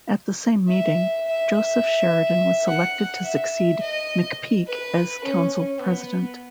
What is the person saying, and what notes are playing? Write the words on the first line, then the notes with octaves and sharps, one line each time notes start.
At the same meeting, Joseph Sheridan was selected to succeed McPeek as Council President.
E5
E5
E5
F#5
E5
D#5
B4
C#4
C#4
B3